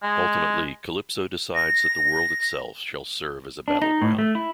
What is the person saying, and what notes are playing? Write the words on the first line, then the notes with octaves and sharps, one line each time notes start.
Ultimately, Calypso decides that the world itself shall serve as a battleground.
G#3
A#6
D4
D#4
A2
A3
E4